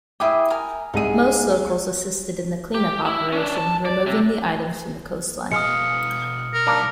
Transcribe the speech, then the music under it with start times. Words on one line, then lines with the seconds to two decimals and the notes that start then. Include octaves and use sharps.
Most locals assisted in the clean-up operation, removing the items from the coastline.
0.20 E4 G#4 G5 D6 D#6
0.50 A#4 G#5
0.94 C2 G#3 D#4 G#4 D#7
2.75 G4
3.06 E4
3.33 C#4 D4
3.58 A5
3.85 D5
4.07 C3
5.52 B2 G#3 F5 D#6 F6 C#7
6.54 A#4
6.67 B1 G3 A#3 D4